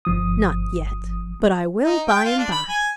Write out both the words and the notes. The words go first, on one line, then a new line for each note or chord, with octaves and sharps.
'Not yet; but I will by and by.'
G1 F3 D#6
D#4
G5
F4
D4
B5
G#5